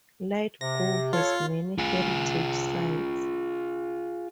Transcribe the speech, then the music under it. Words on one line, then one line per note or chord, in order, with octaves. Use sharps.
Lithgow has many heritage sites.
C3 A#6
F4 A4 C#5
F4 G#4